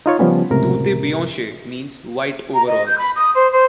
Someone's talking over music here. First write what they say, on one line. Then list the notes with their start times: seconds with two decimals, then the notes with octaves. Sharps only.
Tute Bianche means, "White Overalls".
0.06 D#4 F4 C#5
0.19 C#3 F3 G3 B3 C#4
0.50 C#2 F#2 A2 C3 A#4
2.53 A#5
2.66 D#5
2.85 G6
2.98 B5
3.15 D#6
3.34 C5
3.51 C5